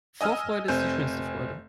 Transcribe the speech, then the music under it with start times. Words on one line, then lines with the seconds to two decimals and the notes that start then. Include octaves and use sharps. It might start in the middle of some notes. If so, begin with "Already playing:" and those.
Vorfreude ist die schönste Freude.
0.21 D#5 G#5 E6 F6
0.68 F1 C4 G#5 G6